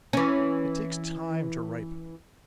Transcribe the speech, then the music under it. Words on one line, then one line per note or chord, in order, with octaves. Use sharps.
It takes time to ripen.
E3 C#4